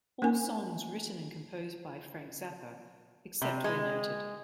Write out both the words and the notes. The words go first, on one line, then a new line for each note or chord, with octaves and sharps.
All songs written and composed by Frank Zappa, except where noted.
A#3 C#4 D#4 A#4 G#5
C3
G#3